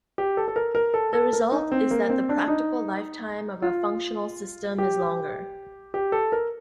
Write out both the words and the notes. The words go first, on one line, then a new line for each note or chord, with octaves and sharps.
The result is that the practical lifetime of a functional system is longer.
G4
A4
A4
A#4
A#4
A4
A4
A#4
D#4
C4
A#3
C4
D4
D#4
F4
G4
G4
A4
A#4